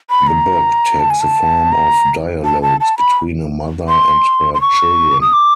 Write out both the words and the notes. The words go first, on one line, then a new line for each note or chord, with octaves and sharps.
The book takes the form of dialogues between a mother and her children.
B5
A#5
A5
G#5
A5
A#5
A5
A5
A5
B5
C6
C6
C#6
D#6
D6